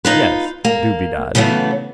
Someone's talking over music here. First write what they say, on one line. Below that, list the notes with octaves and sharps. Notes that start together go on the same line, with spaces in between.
Yes, do bedad.
D#4 F4 B4
A#3
C#3 E3 F#3 A3 B3